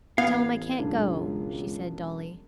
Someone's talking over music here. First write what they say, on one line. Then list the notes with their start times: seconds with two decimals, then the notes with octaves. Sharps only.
"Tell him I can't go," she said dully.
0.18 A1 B3 F5 G#6
0.79 E1 C#2 F#2 D4